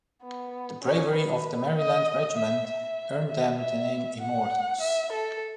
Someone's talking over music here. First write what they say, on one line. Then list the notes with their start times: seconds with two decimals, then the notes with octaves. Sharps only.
The bravery of the Maryland Regiment earned them the name "immortals".
0.23 B3
0.83 C#4
1.14 B4
1.76 D#5
2.37 E5
2.67 E5
3.28 E5
3.59 E5
4.21 F#5
4.81 E5
5.12 A4